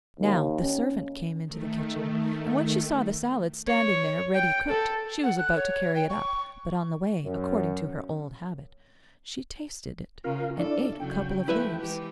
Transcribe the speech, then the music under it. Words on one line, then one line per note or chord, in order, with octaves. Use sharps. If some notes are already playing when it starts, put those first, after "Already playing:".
Now the servant came into the kitchen, and when she saw the salad standing there ready cooked she was about to carry it up, but on the way, according to her old habit, she tasted it and ate a couple of leaves.
D#2
C#4
D#3 A3
C#5
G5
A4
F#5
F#6
C#5
G5
C#6
F#2
C#3 F4 A#4 F5
D4 E4 A4 D5
C#3 F#3 G5
F3 A3 E4 B4 E5
E3 G#3 G4